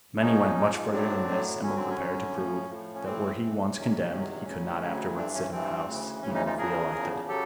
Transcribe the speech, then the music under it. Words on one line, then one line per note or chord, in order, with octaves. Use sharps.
Many went much further than this, and were prepared to prove that were he once condemned he could not afterwards sit in the House, even if re-elected.
E4
G#2 F3 C#4 D#4
G#2 F3
A2 F#3 C4 D4
A2 F#3
F#2 D3 F#3 C#4
C4
C#4
F#2 D3 F#3
A2 F3
A2 F3
C#4
A2 E3 C4
A2 E3
E2 C3 D#3 F#3 C#4
E2 C3 D#3 F#3
D2 C#3 F#3 C#4
D2 C#3 F#3
G2 E3 C4 D4
C#4
G2 E3 C4
D2 C#3 E3
D2 C#3 E3 C#4
C#4 D#4
D#4 F4
E2 C#3 F3 G#4 A#4
E2 C#3 F3
C#3 F#3 G4 A4